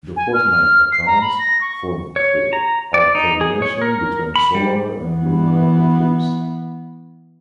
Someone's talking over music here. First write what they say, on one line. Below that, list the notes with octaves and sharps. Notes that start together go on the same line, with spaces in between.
The fortnight accounts for the alternation between solar and lunar eclipse.
G#5
F6
C7
A#5
B5
A#6
C#6
C#5
A#5
D5
D#4
G#4
C#5
A#4
B5
G3
E3 B3